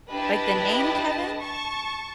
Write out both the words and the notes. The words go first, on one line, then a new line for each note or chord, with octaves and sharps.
Like, the name Kevin?
D4 E4 G4 B4 D#5 A5
A5 C#6